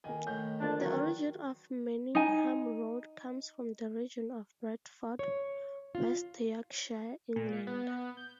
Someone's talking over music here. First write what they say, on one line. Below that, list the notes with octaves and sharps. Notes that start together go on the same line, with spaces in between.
The origin of Manningham Road comes from the region of Bradford, West Yorkshire, England.
D#3 A#3 G#5
A2 D#3 G6
F2 D3 A#3 D4 D5 A5
E2 D#3 F#3
D#4 G#5
C#5
F4
A#2
B3
G6